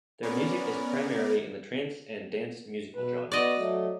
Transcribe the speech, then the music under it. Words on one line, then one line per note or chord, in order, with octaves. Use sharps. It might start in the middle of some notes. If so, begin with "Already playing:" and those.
Their music is primarily in the trance and dance musical genres.
B3 C#4 A#4 B4 D5
B2 B4
B3 F#4 D5 D#5
F#3 A3